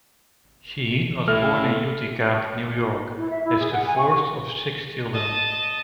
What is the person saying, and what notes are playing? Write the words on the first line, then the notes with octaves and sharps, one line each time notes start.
Sheheen was born in Utica, New York as the fourth of six children.
A2 E4 A4 E5 F6
E4
E5
E4
G#4
F#5
G#5
C#6
D#5 A5